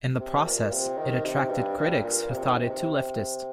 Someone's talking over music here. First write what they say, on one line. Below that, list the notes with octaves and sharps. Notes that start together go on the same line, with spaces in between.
In the process, it attracted critics who thought it too 'leftist'.
C3
A#2
C3
D#3
C3
G2
G2
A#2
C3
D#3
C3
C3